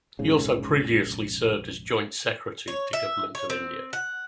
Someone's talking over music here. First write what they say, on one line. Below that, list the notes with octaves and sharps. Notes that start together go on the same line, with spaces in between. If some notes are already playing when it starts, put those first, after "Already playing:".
He also previously served as Joint Secretary to Government of India.
F1 A#1 G#2 C#3
C#5
E5
C#5
C4
F#5